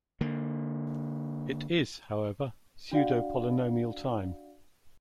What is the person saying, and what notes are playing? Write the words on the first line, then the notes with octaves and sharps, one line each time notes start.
It "is", however, pseudo-polynomial time.
D3 A#3
D4 F#4 D5 F5 F#5